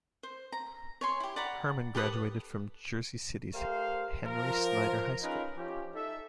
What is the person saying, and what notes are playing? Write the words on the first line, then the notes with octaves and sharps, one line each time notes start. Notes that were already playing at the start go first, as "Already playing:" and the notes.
Herman graduated from Jersey City's Henry Snyder High School.
C5
A#5
C#5 G#5 C6
E4 G4
D5 F#5 A#5 B5
G4 A4 B4 D#6
A3 G4 A#4 C5 F5
F3 A#4
C#4 D#4 F4 G#4 A#4 B4
F3 C#4 F4 G4
D#4 A4 E5